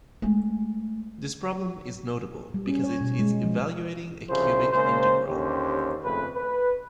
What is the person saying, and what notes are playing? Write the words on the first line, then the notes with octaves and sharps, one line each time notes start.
This problem is notable, because it is evaluating a cubic integral.
G#3 A3
G3
C#4
C#5
B2
G#3
F3
C2 C#3 F3 C5
C#3 G#3 A#3 C5
D#2 D3 C#4 G4 C5
F2 C#3 A3 B4
B4